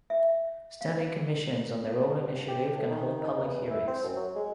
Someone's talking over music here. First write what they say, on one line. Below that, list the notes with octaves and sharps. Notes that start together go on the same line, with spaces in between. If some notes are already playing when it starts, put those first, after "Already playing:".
Standing commissions on their own initiative can hold public hearings.
E5
F5
G2
G4
A2
D#3
D#4
E2
E4
C4
F#2
F#3
G#3